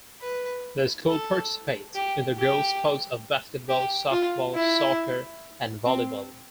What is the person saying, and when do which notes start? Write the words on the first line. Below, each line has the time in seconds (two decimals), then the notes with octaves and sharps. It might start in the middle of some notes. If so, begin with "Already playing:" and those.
The school participates in the girls sports of basketball, softball, soccer, and volleyball.
0.21 B4
1.08 A4
1.95 G4
2.38 G4
3.69 G4
4.11 F4
4.55 E4
5.85 C4